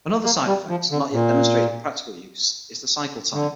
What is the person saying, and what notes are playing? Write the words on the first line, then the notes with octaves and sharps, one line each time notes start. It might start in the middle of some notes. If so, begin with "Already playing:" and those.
Another side effect, not yet demonstrated in practical use, is the cycle time.
A#3
G3
F3
D3
A#2
D3